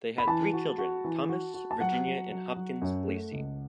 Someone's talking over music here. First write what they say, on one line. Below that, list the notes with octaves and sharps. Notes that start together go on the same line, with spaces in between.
They had three children: Thomas, Virginia, and Hopkins Lacey.
B5
E3 A5
F#4
F#4
E3
F#4
F#4
A5
F#3 F#5
F#3
F#3
F#3
F#2
A3
C#2